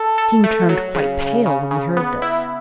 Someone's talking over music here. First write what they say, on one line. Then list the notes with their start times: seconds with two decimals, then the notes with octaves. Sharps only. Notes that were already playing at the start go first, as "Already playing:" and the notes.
The king turned quite pale when he heard this.
Already playing: A4
0.18 A4
0.44 A3
0.69 F#3
0.95 C#3
1.20 C#3
1.46 C#3
1.71 C#3
1.97 B3
2.22 E4